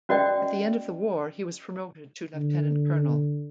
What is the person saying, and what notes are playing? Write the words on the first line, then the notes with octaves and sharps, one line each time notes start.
At the end of the war he was promoted to lieutenant colonel.
C#4 F#4 D5 D#5 G5
D3